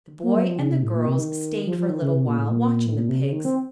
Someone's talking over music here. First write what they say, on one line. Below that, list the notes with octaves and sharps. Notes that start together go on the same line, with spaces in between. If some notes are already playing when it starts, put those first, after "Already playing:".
The boy and the girls stayed for a little while, watching the pigs.
A#3
F#3
F3
C#3
C3
A2
A#2
C3
D#3
F3
F3
D#3
C#3
C3
A#2
A2
A#2
A2
A#2
C3
C#3
D#3
C4